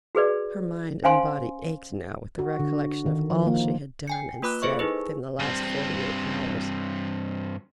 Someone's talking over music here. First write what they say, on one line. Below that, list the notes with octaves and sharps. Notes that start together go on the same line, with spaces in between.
Her mind and body ached now with the recollection of all she had done and said within the last forty-eight hours.
F#4 G#4 B4 D5
C#4 C5 F5 G#5 C6
F#4
D3
D#3
F3
A#3
G5 G#5 C#7
A#3 F4 B4 B5 D6 F#6
G#4 A4 C5 D#5 C#6
D#4 E4 G#4 B4
G2 C4